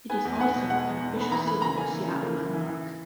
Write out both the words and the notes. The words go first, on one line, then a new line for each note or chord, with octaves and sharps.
It is also an official City of Seattle landmark.
B3 G#5
E2
G#5
B3 F#5
B2
G#3 F#5
G#3
E2
B3 B5
E3 A#5
A#3 B5
C#3 A#5
A#3 G#5
E3
C#3
A#3
E3
E3
E3